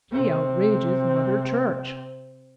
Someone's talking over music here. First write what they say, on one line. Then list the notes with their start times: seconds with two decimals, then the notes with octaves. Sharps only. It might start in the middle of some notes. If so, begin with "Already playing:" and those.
"He outrages Mother Church."
0.12 C3 C4